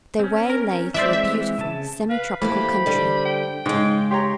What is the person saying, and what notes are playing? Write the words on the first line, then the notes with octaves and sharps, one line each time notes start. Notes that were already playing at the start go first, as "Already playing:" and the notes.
Their way lay through a beautiful semi-tropical country.
C4 C#4
A#4
E3 G#3 C4 C5 D5 E5
E5
C#3 A5
B4 F5
E3 A3 A#3 G4 C5 B5
D3 G3
G5
G#2 C#3 G#3
G4 C#5 A#5 C6